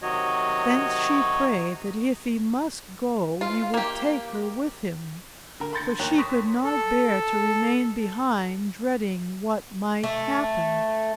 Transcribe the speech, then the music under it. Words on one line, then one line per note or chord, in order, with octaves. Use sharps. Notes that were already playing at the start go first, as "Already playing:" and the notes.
Then she prayed that if he must go he would take her with him, for she could not bear to remain behind dreading what might happen.
C3 D#3 F#3 F#4 C#5 D#5
F4
A#3 G4
D3 A#4
B5 C6 G6 A6 A#6 C#7
D#2 C#5 A#5 F#6
C6 C#6 D#6 A#6 B6
A4
A3